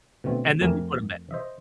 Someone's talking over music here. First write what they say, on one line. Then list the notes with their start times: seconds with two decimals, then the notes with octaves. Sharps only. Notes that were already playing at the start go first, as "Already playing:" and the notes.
and then they put 'em back.
0.24 B2 D3 A3 C4
0.61 F2 A3 G4 A#4 G#5
1.31 C5 D#5 E5